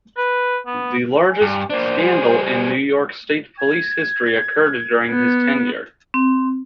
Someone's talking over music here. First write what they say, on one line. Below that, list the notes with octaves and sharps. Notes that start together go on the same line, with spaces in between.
The largest scandal in New York State Police history occurred during his tenure.
B4
B3
G#5
G2
A#3 D4 C5
G3 G#4
G#6
B3
C4